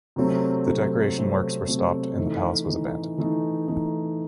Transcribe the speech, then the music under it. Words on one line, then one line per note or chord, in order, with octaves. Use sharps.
The decoration works were stopped, and the palace was abandoned.
C3 F#3 A3 C4
C3 F#3 A3 C4
C3 F#3 A3 C4
C3 F#3 A3 C4
E3 A3 D#4
E3 A3 D#4
E3 A3 D#4
E3 A3 D#4